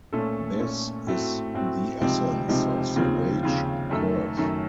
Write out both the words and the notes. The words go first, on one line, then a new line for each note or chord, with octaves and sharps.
This is the essence of the wage curve.
A#2 A3 C#4 A4
A#2 A3 C#4 A4
A2 A3 C4 F#4
A2 A3 C4 F#4
C#2 C3 F3 C4 D#4
C#2 C3 F3 C4 D#4
D#2 C#3 F3 C4 F4
D#2 C#3 F3 C4 F4
F#2 D#3 A3 C#4 A4
F#2 D#3 A3 C#4 A4